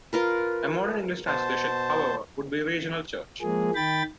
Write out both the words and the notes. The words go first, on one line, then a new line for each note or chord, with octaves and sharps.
A modern English translation, however, would be "regional church".
F4 A#4 B4
B2 C5 A5
F3 G#3 A#3 G#4
D#3 G5 B5 A6